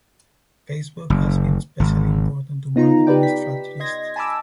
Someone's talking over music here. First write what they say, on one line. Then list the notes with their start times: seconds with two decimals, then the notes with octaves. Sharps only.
Facebook has been especially important to marketing strategists.
1.10 F#1
1.80 G#1
2.75 C#3 B3 D#4 F4 A#5
3.07 G4 B4 D5 G5
3.23 B6
3.80 D#5 C6 G#6 A#6
4.16 G#5 A5 B5 D6 E6